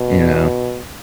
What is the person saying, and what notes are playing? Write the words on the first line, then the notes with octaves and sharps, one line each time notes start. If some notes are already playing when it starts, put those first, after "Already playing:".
you know?
Already playing: B2